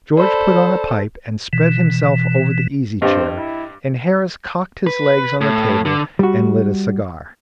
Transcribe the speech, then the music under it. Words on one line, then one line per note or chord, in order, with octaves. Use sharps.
George put on a pipe and spread himself over the easy-chair, and Harris cocked his legs on the table and lit a cigar.
A4 C5 D5 B5
B2 E3
G2 C4 D#5 G5
E4
B4
A2
D3
G3 F#4